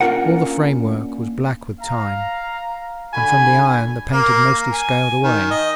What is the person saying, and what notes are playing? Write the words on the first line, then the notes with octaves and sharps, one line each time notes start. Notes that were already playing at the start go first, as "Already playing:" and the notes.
All the framework was black with time, and from the iron the paint had mostly scaled away.
A#3 C#4 D4 F4 A#4 F#5
F5 A#5
D3 F#4 G#5 B5
A#3
G#5
D#3
D#5